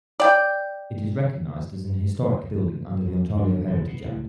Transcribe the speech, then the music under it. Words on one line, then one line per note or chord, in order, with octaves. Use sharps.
It is recognized as an historic building under the Ontario Heritage Act.
D5 G5
F2
G1 F2 D4
F1 C2 G#2 C#3
B2
C#2 A2 G3